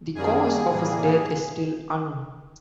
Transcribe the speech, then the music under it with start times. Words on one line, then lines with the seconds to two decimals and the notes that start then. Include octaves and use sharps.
The cause of his death is still unknown.
0.15 F#2 D#3 G3 A#3 G#4
0.69 A2 E3 G3 A#3